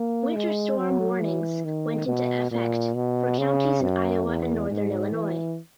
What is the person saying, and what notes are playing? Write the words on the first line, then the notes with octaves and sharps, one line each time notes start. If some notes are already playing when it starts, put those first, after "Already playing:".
Winter Storm Warnings went into effect for counties in Iowa and northern Illinois.
Already playing: A#3
G#3
F#3
E3
D#3
B2
A#2
B2
C#3
F#2
E2
G#2
E3